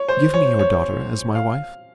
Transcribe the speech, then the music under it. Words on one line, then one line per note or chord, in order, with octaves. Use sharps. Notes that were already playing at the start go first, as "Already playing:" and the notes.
Give me your daughter as my wife.'
Already playing: C#5
C5
C#5
C#5
F5